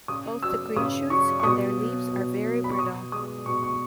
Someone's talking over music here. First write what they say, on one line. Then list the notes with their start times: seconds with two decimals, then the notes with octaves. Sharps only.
Both the green shoots and their leaves are very brittle.
0.08 C#3 D#6
0.43 F#3 E6
0.76 C#3 D#6
1.10 F#3 C#6
1.40 C#6
1.44 B2 D#6
1.78 F#3
2.11 B2
2.45 F#3
2.64 B5
2.71 C#6
2.79 B2 D#6
3.12 G#3 D#6
3.46 B2 C#6
3.63 C#6